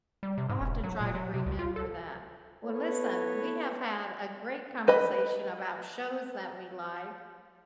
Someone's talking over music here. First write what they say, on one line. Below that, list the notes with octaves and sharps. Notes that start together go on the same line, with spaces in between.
I'll have to try to remember that. Well, listen, we have had a great conversation about shows that we like,
G3
C3
G#2
E1
F#3
A#2
F#3
C3
C#2
F4
A4
B3 E4 A4 B4 C#5
B4 D#5 B5